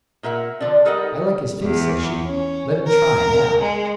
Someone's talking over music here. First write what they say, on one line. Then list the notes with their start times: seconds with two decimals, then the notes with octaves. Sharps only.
"I like his face," said she; "let him try, now."
0.23 A#2 A#4 E5 F#5
0.60 D3 F3 D4
0.85 G3 D#4 A4 A#4 D#5 F#5
1.62 E2
2.24 C#4
2.87 A#4
3.61 G#3